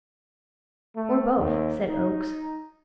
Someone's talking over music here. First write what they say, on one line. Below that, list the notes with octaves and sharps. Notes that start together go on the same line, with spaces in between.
"Or both," said Oakes.
A3
D#2
D#4